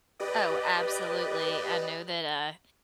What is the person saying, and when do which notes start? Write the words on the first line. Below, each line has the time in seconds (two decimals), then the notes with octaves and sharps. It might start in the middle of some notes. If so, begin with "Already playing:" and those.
Oh, absolutely. I know that, uh,
0.20 G4 B4 D5 D#5